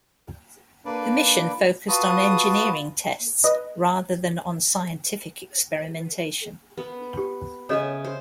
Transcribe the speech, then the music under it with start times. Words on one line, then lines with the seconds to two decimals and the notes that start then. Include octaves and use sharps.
The mission focused on engineering tests rather than on scientific experimentation.
0.85 A#3 D4 B4 D5
1.88 F4 F#4 B4 A5 D#6
3.44 B4 D#5
6.78 B3
7.17 G4
7.69 C#3 A4 C#5 D#5 E5 G#5
8.05 C5